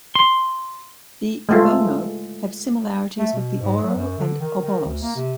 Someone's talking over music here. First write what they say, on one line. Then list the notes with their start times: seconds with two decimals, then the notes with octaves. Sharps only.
The Ibono have similarities with the Oro and Obolos.
0.15 C6
1.49 G#3 A3 F4
3.18 A3
3.33 B2
3.61 G#2
3.83 F#3
3.96 F#2
4.18 D3
4.40 D#3
4.64 D#3
4.86 D2
5.02 A#3
5.16 C3